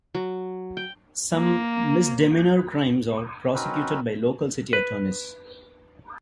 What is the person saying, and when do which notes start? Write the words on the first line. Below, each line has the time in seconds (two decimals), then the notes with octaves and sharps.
Some misdemeanor crimes are prosecuted by local city attorneys.
0.15 F#3
0.77 G5
1.34 A#3
3.55 C4 C#4 D#4 F#4 A#4 B4
4.73 B4